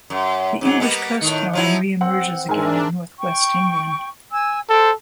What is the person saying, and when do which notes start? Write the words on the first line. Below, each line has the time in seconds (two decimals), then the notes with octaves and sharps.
The English coastline re-emerges again in North West England.
0.10 F#2
0.61 G#2 F#3
0.80 G3 A#3 B3
1.21 A2 D#3
1.53 F3 F#3 E4
2.01 C4 F#5
2.49 G#2 D4 A#4 E5 G#5 C6
3.18 G5 C#6
4.32 G#5 E6
4.69 A4 C5 G5